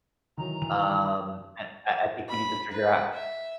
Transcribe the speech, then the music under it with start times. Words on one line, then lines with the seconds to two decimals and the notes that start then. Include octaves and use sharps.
um, and I I think we need to figure out
0.38 D#3 E3 F#3 A#5
0.62 D#3 E3 F7
2.29 B5
2.72 B4
3.13 E5